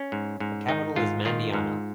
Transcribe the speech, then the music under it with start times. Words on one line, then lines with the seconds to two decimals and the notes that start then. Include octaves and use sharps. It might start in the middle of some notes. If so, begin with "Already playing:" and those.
The capital is Mandiana.
Already playing: C#4
0.12 G#2
0.40 G#2
0.68 D#3 D#4
0.96 G#2 F4
1.25 D#3 F4
1.54 G#2